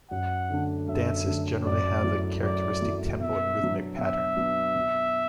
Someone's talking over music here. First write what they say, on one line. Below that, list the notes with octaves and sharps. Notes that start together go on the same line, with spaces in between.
Dances generally have a characteristic tempo and rhythmic pattern.
F#2 F#5
D3 A3 D4
F#2 E5
D3 A3 D4
F#2 D5
F#3 A3 E4
F#2 D5
F#3 A3 E4
B2 E5
F#3 B3 D4
B2 E5
F#3 B3 D4
B2